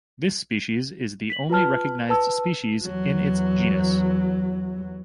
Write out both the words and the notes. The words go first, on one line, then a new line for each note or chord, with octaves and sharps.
This species is the only recognized species in its genus.
B6 F#7
F4 B4 A5 F6
B4 A5 E6
E2 F#3